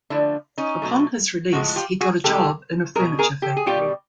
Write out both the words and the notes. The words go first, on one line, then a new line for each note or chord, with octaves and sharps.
Upon his release he got a job in a furniture factory.
D3 F3 A3 D4 E4
C#4 D#4
B2 F#3 A3
A2 F3 G#3 F#4
F4 G4
F#4 G#4
C3 E3 G#3 G4 A4
G#3 G#4 A#4
B2
G#4 A#4
G4 A4
G#4
B2 G3 F4 G4